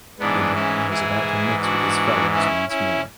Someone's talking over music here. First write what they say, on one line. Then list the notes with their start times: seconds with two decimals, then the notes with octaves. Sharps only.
The mourner was about to mix with his fellows once more.
0.19 G#2 E3 B3 D4
0.55 C#4 E4
0.90 E4 G#4
1.62 D4 F#4
2.33 C#4 E4
2.69 C#4 E4